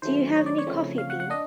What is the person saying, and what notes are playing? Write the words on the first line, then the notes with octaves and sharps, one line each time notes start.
Do you have any coffee bean?
D#3 F#3 A3 C5
C#5
D5
C#5
C#3 F3 A3 C4
F5
F#5
F#5
D4 D#5